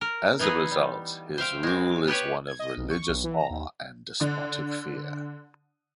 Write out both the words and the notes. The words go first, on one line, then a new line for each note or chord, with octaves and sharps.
As a result, his rule is one of religious awe and despotic fear.
A#4
E3 B3 D#4 G#4 B4
G3
C5 E5 F5 G5
G#3 C4
B3 G4 B4 C#5
G#6
D#5
B1
C#6
B1
E3
A#5
D#2
D3 D5